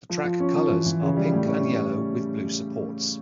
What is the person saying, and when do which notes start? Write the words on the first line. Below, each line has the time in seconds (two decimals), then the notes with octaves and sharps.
The track colors are pink and yellow, with blue supports.
0.10 F3
0.24 F3
0.40 C#4
0.55 F3
0.70 E3
0.86 E3
1.01 C#3
1.16 G3
1.32 A2
1.47 C#4